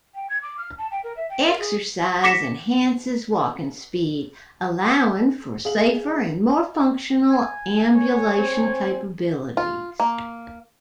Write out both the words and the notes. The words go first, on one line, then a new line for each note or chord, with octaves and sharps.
Exercise enhances walking speed, allowing for safer and more functional ambulation capabilities.
G5
G#6
D6
F6
A5
G5
A#4
E5
G5
A#4
G#4
D6 A#6 B6 C#7 E7
G#4 F5 F#7
G#5
C#5
C4
F4
A#3